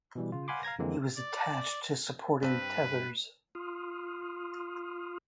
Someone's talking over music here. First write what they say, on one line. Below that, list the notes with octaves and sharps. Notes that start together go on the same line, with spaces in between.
He was attached to supporting tethers.
B2 E3 G3
C#3 F4
F5 F#5 G#5 B5 C6 D6
F5 A#5 G#6 A#6
F2 D3 E3 G#3 A#3 C4
D5
G2 C4 B4
F4 C6 D#6 F6